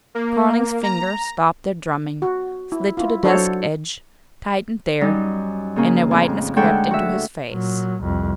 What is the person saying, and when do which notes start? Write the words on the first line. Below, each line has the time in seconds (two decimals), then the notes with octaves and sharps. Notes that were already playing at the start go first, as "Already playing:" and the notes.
Carling's fingers stopped their drumming, slid to the desk edge, tightened there, and a whiteness crept into his face.
0.15 A#3
0.83 A#5
2.22 F#4
2.72 E4
2.97 E4 F4
3.23 F#3 D4 F#4 A4 C5 C#5
5.01 F#2 G3 D#4
5.76 C#3 A#3 C#4
6.11 F2 A2
6.56 D2 G#3 A4 C#5 F#5 G5
6.91 F#4 E5
7.50 A#2 F#3
8.01 C2 F2